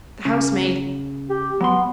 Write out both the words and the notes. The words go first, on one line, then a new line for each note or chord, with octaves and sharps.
The housemaid.
C#3
G4
F#3 B3 C6